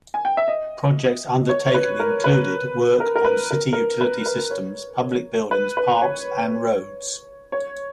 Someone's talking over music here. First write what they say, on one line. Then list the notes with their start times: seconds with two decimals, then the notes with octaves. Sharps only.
Projects undertaken included work on city utility systems, public buildings, parks, and roads.
0.14 G#5
0.25 G5
0.37 E5
0.48 D#5
1.49 C#5
1.66 C#5
1.74 B4
2.00 A#4
2.24 B4
3.00 A#4
3.16 A#4
3.25 B4
3.51 A#4
3.73 A#4
4.01 B4
4.26 B4
4.51 C#5
5.51 B4
5.77 B4
6.02 C#5
7.52 C#5